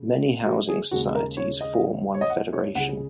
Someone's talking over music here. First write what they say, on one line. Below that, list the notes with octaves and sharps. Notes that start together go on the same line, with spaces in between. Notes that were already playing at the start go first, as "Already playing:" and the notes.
Many housing societies form one federation.
Already playing: C#3
F#4
G#4
D#2 C#3 G#3 F#4
A#4
C#5
D#5
C#5
D#5
F#5
C#5
C#2 C#3 G#3 F#5